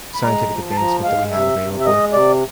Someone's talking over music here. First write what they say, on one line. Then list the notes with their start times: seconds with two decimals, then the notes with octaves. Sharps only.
scientific advancement that we have available
0.15 B5
0.23 G#3 A#5
0.50 F3
0.71 A5
0.77 F3 A#5
1.04 G#3 F5
1.31 C3 E5
1.59 C3
1.80 E5
1.86 G#3 D#5
2.13 C3 D5